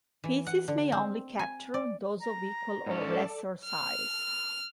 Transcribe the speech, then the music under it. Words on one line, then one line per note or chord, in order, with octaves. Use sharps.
Pieces may only capture those of equal or lesser size.
E3
F#5
D3
C4
G#5
D5
A#5
G#2 C#4 A4 D5 A5
F6